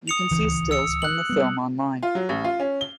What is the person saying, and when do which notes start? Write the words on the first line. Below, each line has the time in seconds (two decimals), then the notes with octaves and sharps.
You can see stills from the film online.
0.08 D#6 C#7 F7
0.31 D1 C#2 E3
0.71 E6 C#7
1.02 F#6 F#7
1.29 G3 B3
2.03 F4
2.15 F#3
2.29 A1
2.44 F4
2.60 C#4
2.81 G7